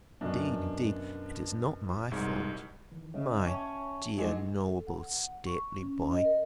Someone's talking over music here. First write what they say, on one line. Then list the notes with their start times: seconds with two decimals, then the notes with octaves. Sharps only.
Indeed, indeed, it is not my fault! My dear, noble, stately boy!
0.21 F#2 B2 D4
2.12 C2 G#2 G#3
2.92 D#3 E3
3.14 C#3 C#5 D#5 E5
3.47 C#4 E5 G5 A5
4.18 F#3 G#3 D4 D#4
4.67 A4
4.87 F#5
5.46 C#6
5.79 C#4
6.12 D#5
6.25 A#4